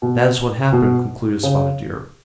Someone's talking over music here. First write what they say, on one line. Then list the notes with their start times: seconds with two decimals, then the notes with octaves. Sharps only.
"That is what happened," concluded Spotted Deer.
0.02 B2
0.72 B2
1.43 C#3